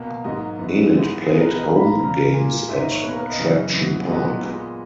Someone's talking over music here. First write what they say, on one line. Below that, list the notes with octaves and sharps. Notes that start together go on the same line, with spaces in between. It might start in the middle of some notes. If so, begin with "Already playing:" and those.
Enid played home games at Traction Park.
Already playing: B2 A#3
G#2 F#3 A#3 D#5
F#2 E3 B3
G#2 E3 G#3 B3 E4
B2 G#3 B3 G#4
A#4
B4
D#5
B2 A#3 A#5
B5
A#5
E2 C#3 E3 A#3 A#5
A#2 A#3 G#5
G#2 D#3 A#3 E5
D#5
C#5
B2 A#3 B4
A#4
B4
D#5
F#2 C#3 E3
F#2 E3 B3
A#2 F#3 B3 D#5
A#2 G#3 B3